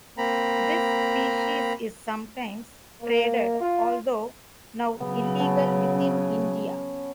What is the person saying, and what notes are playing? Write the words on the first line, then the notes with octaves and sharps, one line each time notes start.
This species is sometimes traded although now illegal within India.
A#3 C4 A#5 B5
A#3
F4
C#3 F#3 B3
B3 C#4 A5
C#4